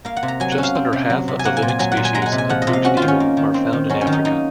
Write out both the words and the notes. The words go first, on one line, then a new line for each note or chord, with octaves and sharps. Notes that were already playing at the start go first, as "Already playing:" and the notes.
Just under half of the living species of booted eagle are found in Africa.
A#3 F5
F#5
C3
A#5
F#3 G#5
F#5
C#4
F5
C4
C3
F#3
C3
G#5
A#3 F#5
G#5
A#2
G#5
F#3 G#5
F#5
A#2
G#5
G#3 A#5
F#5 G#5
C3
G#5
F3 F#5
D#5
C3
F5
C#4 F#4
F4
D#3
C#4
A#3
D#3
C4
D#3
F#3 C#4
C#4
D#3
D#4
A#3 D#4